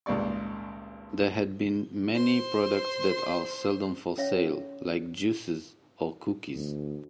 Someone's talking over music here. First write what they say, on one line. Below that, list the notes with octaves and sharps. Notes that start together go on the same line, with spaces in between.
There had been many products that are seldom for sale, like juices or cookies.
G#1 C#2 A#2 G3 D5 C#6
C5 C6
C#4 C#5 E5 F5
D2